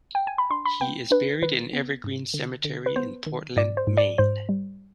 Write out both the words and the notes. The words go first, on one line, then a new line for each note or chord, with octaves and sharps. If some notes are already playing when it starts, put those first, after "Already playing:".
He is buried in Evergreen Cemetery in Portland, Maine.
G5
G#5
B5
D4 C6
B5
B3 G5
D4 B4
D#3 B4
B3
G#2
D3
D3
B4
B3 C5
D#3
G#2 D5
C5
G#2
D5
G#2 C5
G3